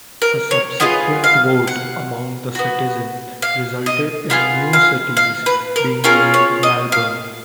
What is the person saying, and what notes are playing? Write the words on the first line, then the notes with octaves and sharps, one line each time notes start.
A subsequent vote among the citizens resulted in the new cities being named Melbourne.
A#4
C#5
B3 F4 G#4 D#5
F5
F#5
B3 F#4
F5
D#5
B3 F4 G#4 F5
F5
F5
B4
A#4
C#4 F4 G#4 A#4
C#5
D#5
F5